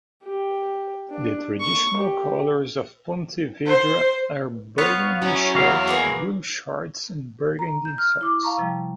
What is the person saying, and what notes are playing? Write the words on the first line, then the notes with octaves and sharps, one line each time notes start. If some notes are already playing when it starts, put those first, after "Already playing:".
The traditional colours of Pontevedra are burgundy shirt, blue shorts and burgundy socks.
G4
D4
C#6
G4
C5
B3 F4 C#5 F5
F#3 C#4 E4 C#5
E2 F#4 C#5 F5
A#3 B3 G#4
A#5
G6
F6
E4 D6
F5 A5 A#5 C#6
C3 F3 G3